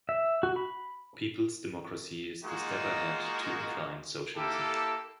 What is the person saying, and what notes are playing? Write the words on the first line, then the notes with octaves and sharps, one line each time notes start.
Peoples' Democracy is the step ahead to incline Socialism.
E5
F#4
B5
G#3 A#3 D#4 F4 F#4
A#3 E4 G4 A4